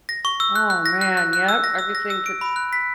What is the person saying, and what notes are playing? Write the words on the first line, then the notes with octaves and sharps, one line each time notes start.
Oh man, yep, everything gets
A#6
C#6
E6
F#6
F#6
A#6
F#6
F#6
F#6
E6
A#6
E6
A#6
E6
D7
B5
F#6
B6